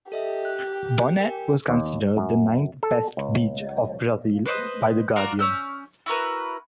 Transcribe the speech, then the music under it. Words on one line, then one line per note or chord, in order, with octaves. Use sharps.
Bonete was considered the ninth best beach of Brazil by "The Guardian".
G4 A4 D#5 E5
F#6
A#4 G5 G#5
D#2
F#2
A4
C#2
B4 C5 D5 D#5
F4 F#4 A#4 D5
C#4 E6 G6
E4 F#4 A#4 B4